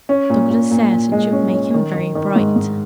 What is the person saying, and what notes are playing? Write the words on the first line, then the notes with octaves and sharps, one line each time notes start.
Douglas says it should make him very bright.
C#4
A#2
A#2
A#2
A#2
G#3
C#4
C#4
D#3
D#3
D#3
G#2
G#2